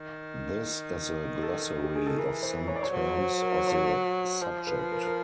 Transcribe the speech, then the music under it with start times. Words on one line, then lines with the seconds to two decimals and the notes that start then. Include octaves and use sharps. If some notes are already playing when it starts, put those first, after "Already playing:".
This is a glossary of some terms of the subject.
Already playing: D#3
1.43 A4
1.84 G4
1.96 G#4
2.06 A4
2.18 E3 A#4
2.43 C5
2.68 C#5
2.75 D5
2.83 C#5
2.92 F#3 C5
3.18 C5
3.42 A#4
3.57 C5
3.67 C#5
4.42 F3 C5
4.67 B4
4.92 A#4
5.07 A#4